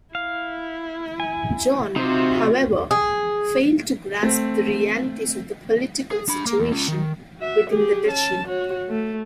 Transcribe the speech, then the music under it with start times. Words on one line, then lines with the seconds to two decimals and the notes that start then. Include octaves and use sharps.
John, however, failed to grasp the realities of the political situation within the duchy.
0.15 E4 F5
1.20 G#5
1.96 C3 C4 D#4 F4 F#4
2.91 G#4
4.23 A3 C4
6.11 G#4
6.28 D4 B5
6.46 A#3 A#4
6.60 E2
6.72 C#4 F4
6.88 D#3
7.40 F#4 E5
7.70 G4 G#4
8.08 C#4 A5
8.47 F#4 C#5
8.90 A3